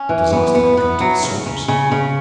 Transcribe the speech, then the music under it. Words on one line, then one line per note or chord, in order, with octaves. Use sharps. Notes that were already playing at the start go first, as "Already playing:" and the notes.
But disaster had come to the soldiers.
Already playing: C#4
E3
B3
B3
B3
F#3
C#3
C#3
C#3
C#3